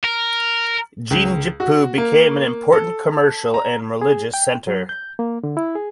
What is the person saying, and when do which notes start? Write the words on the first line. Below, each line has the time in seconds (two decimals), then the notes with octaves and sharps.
Jinjipu became an important commercial and religious center.
0.04 A#4
1.10 C#2
1.60 F#4
1.98 A#3
2.72 A4
3.54 A#5
4.01 G#4
4.34 G5
4.67 F#3
4.89 G6
5.19 A#3
5.43 D3
5.57 E4
5.75 G#4